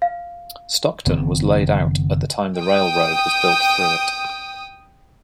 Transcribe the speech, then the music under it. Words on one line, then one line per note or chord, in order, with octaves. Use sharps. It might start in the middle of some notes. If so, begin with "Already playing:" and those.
Stockton was laid out at the time the railroad was built through it.
F5
F#1 D#3 B3 C4
G5 D#6